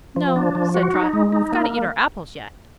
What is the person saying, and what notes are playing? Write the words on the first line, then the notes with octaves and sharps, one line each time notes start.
"No," said Trot; "we've got to eat our apples yet."
F3
D4
F3
F#4
D#4
G#3
D#4
A#3